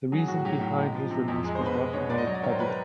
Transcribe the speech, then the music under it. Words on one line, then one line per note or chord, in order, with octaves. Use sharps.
The reason behind his release was not made public.
F#3 G#4
A2 F#4
F#3 G4
A2
G#3
F3
C3
F2
G#3 G#4
C5
B2 B4
G#3
B2 C#5
G#2 D5
D#5
F#3 C#5
D5
D#3 C#5
C5
B4
A#4